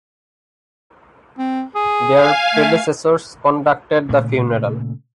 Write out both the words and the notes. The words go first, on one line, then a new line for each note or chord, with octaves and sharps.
Their predecessors conducted the funeral.
C4
G#4
F5 G#5
A3
A#2 C#3 A3